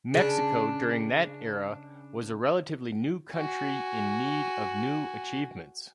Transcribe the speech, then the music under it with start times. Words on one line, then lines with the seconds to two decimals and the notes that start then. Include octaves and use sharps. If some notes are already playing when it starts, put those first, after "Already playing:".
Mexico during that era was a relatively new country in need of new achievements.
0.14 C#3 D4
3.34 F#4 G#5